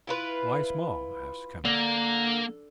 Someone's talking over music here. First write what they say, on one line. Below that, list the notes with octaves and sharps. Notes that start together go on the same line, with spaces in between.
"Why small?" asked Kenneth.
E4 F4 B4
D3 A#3